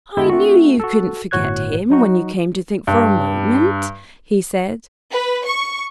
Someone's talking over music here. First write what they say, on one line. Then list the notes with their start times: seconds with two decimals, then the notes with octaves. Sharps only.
'I knew you couldn't forget him, when you came to think for a moment,' he said.
0.17 D3 G#3 B3 E4 A4
0.29 A3 C4 D4 F4 F#4
0.80 F#4 A4
1.31 G1 A2 F#4 C#5 F#6 G#6
1.90 F#3 D#4 F#4
2.87 G2
5.11 B4
5.44 C#6